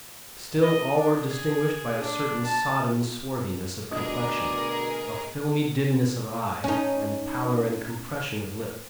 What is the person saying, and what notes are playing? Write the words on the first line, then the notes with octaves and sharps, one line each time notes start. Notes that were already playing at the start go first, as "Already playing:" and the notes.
Still all were distinguished by a certain sodden swarthiness of complexion, a filmy dimness of eye, and pallor and compression of lip.
D#5
D4
G#4
D4
A5
D2 B2 G#4 A#4 D5 D#5
C#4 D#4